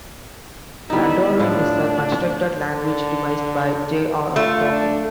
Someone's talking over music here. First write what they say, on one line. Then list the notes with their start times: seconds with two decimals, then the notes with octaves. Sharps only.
Nandorin is a constructed language devised by J. R. R. Tolkien.
0.90 G3 B3 D#4 E4
1.39 A2 F3 D4
2.72 D3
4.36 A3 F4
4.71 D4